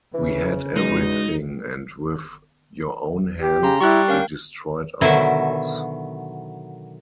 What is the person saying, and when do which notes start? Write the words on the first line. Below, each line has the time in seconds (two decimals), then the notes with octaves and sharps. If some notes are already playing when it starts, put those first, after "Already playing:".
We had everything and with your own hands, you destroyed our house.
0.14 C#3 E3
0.76 E2 G#3 D#4 F#4
3.41 G4
3.63 C#3 A#5 C6
3.80 G3 E4 C#6 F#6
4.08 C#4 A#4 F5 G5
5.01 B2 D3 D#3 F#3 E4 E5